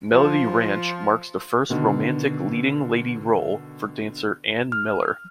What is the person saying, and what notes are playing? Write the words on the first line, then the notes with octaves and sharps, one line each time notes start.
"Melody Ranch" marks the first romantic leading lady role for dancer Ann Miller.
F3
B2 D3 D#3 B3
F6